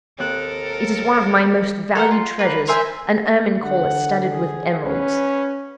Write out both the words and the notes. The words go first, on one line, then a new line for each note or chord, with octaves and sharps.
It is one of my most valued treasures--an ermine collar studded with emeralds.
D#2 C4 A4 A#4 F#6
A4 A#4 F5 F#5
F4
A#3 B4
A#4 C5 E5 G#5
D3 F#5
G#4
C#4 B4